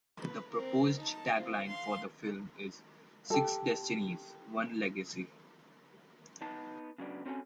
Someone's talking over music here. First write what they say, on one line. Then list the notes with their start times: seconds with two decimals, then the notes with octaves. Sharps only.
The proposed tagline for the film is "Six Destinies - One Legacy".
0.21 B4
0.52 C4 A#4
1.00 D#4 A5
1.36 C4 F4
1.67 F5 C6
3.30 G4 A4
6.41 B3 D#4 A5
6.98 C#3 F#3 B3 D4
7.26 C4 C#4 F#4 A4 G5 G#5